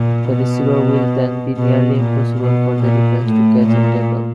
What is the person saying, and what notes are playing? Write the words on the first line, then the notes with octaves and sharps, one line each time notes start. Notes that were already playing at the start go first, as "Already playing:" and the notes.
The receiver will then be nearly impossible for the defense to catch and tackle.
Already playing: A#2
B2
B2
A#2
B2
A#2
A2
A#2